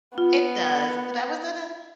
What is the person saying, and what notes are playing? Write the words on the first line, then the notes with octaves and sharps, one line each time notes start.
it does, but I was at a
B3 F4